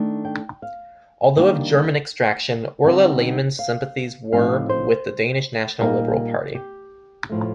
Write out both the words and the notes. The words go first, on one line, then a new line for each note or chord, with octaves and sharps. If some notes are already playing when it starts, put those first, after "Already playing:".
Although of German extraction, Orla Lehmann's sympathies were with the Danish National Liberal Party.
Already playing: D#3 A3 D4
G5
F5
D#3 G3 A#3 D4 G5
D3 G3 C4 D#4
F5
A2 F3 C4 D#4 F5
C5
A#2 G3 A#3 D#4 A#4
G4
A2 F3 A3